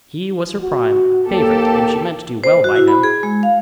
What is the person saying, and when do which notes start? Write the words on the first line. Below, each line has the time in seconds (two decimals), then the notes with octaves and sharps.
He was her prime, favorite and she meant to do well by him.
0.60 F#4
1.28 D#2 A#3 G4 A4
2.44 C5
2.64 F#4
2.76 E4
2.88 B5
3.03 G#4
3.23 G#3
3.43 F5